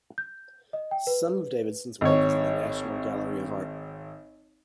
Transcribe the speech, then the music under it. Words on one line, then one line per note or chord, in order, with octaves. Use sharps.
Some of Davidson's work is in the National Gallery of Art.
G6
D#5
G5
B4
G#1 C#5